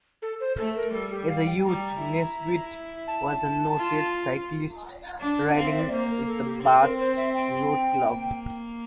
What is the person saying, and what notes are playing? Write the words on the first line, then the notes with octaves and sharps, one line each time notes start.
As a youth, Nesbitt was a noted cyclist, riding with the Bath Road Club.
A4
C5
A3 A4
A#4
G3 A4
G4
F5
G5
G3 A#5
E4
A5
F4
D4
C4 F5
E5
D5
A#3 C5
A#4
A4
G4
C4 A4
A#4
C5
E5
G5
A#3